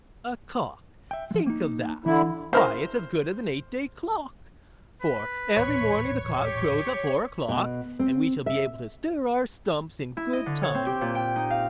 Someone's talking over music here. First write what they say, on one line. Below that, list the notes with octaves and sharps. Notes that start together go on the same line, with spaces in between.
A cock! think of that! why it's as good as an eight-day clock, for every morning the cock crows at four o'clock, and we shall be able to stir our stumps in good time.
E5 G5
F3 G#3
A#3 D#4
D3 E3 D4 E4
C#3 E4 A#4 C5 F6
B4
D#1 A1 C#5
G4
B2
C4
E5
E4
D#5
D3
C#5
C4
G4
A#2
G5
D#4
F5